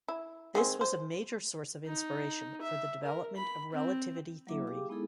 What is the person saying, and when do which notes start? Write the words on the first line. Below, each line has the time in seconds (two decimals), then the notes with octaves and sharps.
This was a major source of inspiration for the development of relativity theory.
0.08 E4
0.55 D#3 G#3 C4
0.81 C5
1.86 D#4
2.61 E5
3.03 A#4
3.36 B5
3.72 C4
4.47 F#3 A#3 E4 E5 D6
4.67 G4 G#4 F5 G5 D6
4.89 G#3 B3 D#4 E4 G#4 A4